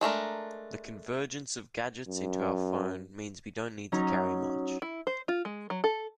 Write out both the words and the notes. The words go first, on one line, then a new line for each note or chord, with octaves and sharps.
The convergence of gadgets into our phone means we don't need to carry much.
G#3 A3 D4 A#4
F#2
F#3 C#4 D#4 A#5
E4
C5
F4
G#3
F#3
A4